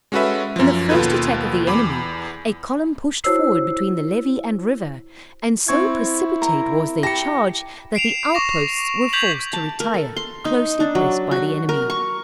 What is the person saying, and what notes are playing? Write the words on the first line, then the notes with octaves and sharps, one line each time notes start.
In the first attack of the enemy, a column pushed forward between the levee and river; and so precipitate was their charge that the outposts were forced to retire, closely pressed by the enemy.
G#3 C#4 F#4 A4 B4 E5
F#2 F3
D#2 B2 F4 A4 B4 G#6
E2 B5 D6
E4 F#4 C5 C#5 E6 C7
C4 E4 C#6 G#6
A#4 A#5
G4 A5 B5 A#6 C#7
C7 D7 E7 F7
C#6 D6 A#6 E7
C#6 G6 G#6 B6 F7 F#7
A5
A#4
A4
C6
D#4
D4
F#3
F#4
A#4
C#6